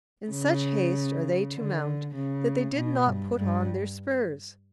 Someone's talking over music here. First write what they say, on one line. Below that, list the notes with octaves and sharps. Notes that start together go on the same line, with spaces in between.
In such haste are they to mount that they did not put on their spurs.
C#3
D3
C#3
B2
G2
G2